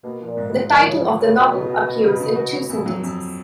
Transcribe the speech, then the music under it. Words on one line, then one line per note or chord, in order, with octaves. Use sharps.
The title of the novel appears in two sentences.
B2 A#3
F3
A#2
G#2
B2
F4
D#3 F3
C#3 F3
F4
C#3 F4
B2 B3
C#3
F#4
F#4
C#3
C#3
F#4
F#4
F2
F#3
F2